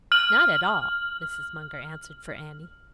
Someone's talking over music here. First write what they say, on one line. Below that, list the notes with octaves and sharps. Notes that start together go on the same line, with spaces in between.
"Not at all!" Mrs. Munger answered for Annie.
F6 F#7